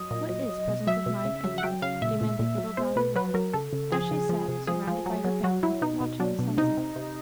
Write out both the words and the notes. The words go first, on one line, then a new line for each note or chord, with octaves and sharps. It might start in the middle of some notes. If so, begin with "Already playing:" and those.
"What is presence of mind, any way?" demanded little Dolly Ware, as she sat, surrounded by her family, watching the sunset.
Already playing: F#3 D#5
A#2
F#3
F#3
B2
F#3 E5
B2
C#3
F#3
F#5
F#3 G5
C#3 F5
A#2 E5
A#2
A#2
F#3
B2 C5
B2 B4
F#3 B4
F#3 A#4
C#3 A4
C#3
F3 G#4
C#3
F3
C3
F3 G#4
F3
F#3
F#3
F#3 F#4
F#3 E4
B2 D#4
B2
F#3 D4
B2
C3 D#4
C3
C3